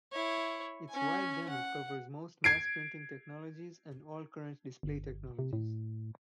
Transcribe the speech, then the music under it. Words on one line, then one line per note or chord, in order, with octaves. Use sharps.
Its wide gamut covers most mass printing technologies and all current display technologies.
E4 C#5
C#4 G#5
F#5
G#6 C7 D7
G1
C3
A2